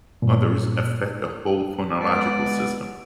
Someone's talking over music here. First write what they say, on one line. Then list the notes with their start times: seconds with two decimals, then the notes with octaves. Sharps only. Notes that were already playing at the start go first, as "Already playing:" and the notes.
Others affect a whole phonological system.
0.22 G2 A#2
2.01 G#3 B3 D5